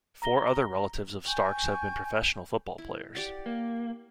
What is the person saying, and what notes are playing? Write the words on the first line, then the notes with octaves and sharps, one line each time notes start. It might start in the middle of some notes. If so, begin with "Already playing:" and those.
Four other relatives of Starks have been professional football players.
A#5 A#6 G7
G5 G#5 C#6 G6
E4
G4 D5 F#5
A#3